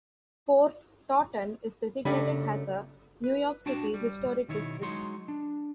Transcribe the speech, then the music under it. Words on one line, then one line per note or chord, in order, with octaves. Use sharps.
Fort Totten is designated as a New York City Historic District.
F#2 C#3 A3 D4 G4 B5
B4
D4 F#4 G5 A5
G3
B1 D#3 E4 C#5
F#3 G#3 D#4 C#5 C6
D4